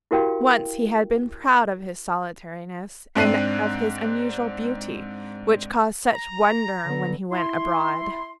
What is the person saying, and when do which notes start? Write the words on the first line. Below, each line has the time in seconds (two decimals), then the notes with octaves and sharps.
Once he had been proud of his solitariness and of his unusual beauty, which caused such wonder when he went abroad.
0.11 E4 F#4 G4 A#4 F5 G5
3.15 G#2 C4 D4 F#6 C7 D#7
6.16 A#5
6.85 D3 B3
7.30 E4 C6